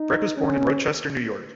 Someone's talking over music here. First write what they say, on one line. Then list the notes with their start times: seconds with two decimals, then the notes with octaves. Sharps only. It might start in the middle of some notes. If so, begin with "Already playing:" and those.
Breck was born in Rochester, New York.
Already playing: D#4
0.37 C#4